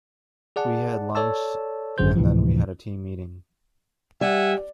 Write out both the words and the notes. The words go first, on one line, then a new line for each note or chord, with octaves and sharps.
We had lunch and then we had a team meeting.
G#4 D5 F#5 A5
A4 C#5 D5 A5 E6
G#1 F#2 D3 G#4 C5 G6
D2 A2 C3 E3 F3
G3 E5 F#5 G#5